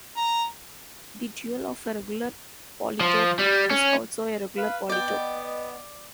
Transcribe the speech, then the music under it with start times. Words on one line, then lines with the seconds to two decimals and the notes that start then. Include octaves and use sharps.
The dual of a regular polytope is also a regular polytope.
0.16 A#5
3.00 F3
3.39 G3
3.70 C#4
4.57 B4 F5
4.89 B3 D5 D#5 G5